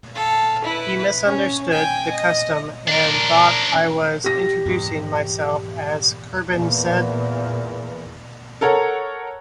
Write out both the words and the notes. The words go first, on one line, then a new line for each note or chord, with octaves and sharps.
He misunderstood the custom and thought I was introducing myself as Kurban Said.
A4 F5
E4 B4
C#4
G5 G#5
D#5
D4 A#4
G4 A#6
E2 G#2
E2 A#2
A4 A#4 C#5 F#5